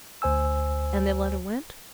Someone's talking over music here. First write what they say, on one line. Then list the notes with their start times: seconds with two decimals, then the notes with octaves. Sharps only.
And the letter went?'
0.22 D2 C5 G#5 E6